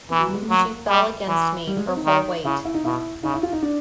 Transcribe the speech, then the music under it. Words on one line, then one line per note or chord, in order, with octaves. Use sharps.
She fell against me — her whole weight.
E3 B3
F#3
G3
G#3
A3
F#3 A#3
G3
E3
G3
G#3
C4
D#4
D#3
C#3 E4
E4
D#4
B2 E4
C#3 D#4
E4
F4
D#4
D4